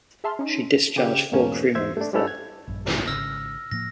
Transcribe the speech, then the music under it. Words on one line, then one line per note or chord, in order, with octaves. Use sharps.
She discharged four crew members there.
G#4 E5 A5 C6 F6
C#4 D#4
C#3 G4
E2 G#2 B2 A#3 C#4
E2 C5 E5 G#6
A3 D4
G3 C#4 E4 A4
G#6
A#1 G2
G#1 G#2 C#3 E6 F6 A#6
A2 F3 A#3 A#6